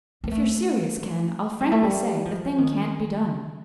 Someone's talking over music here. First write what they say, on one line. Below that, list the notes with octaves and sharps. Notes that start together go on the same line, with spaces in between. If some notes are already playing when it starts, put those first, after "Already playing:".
If you're serious, Ken, I'll frankly say the thing can't be done.
A#3
A3
G3
A3
G3
F3
D#3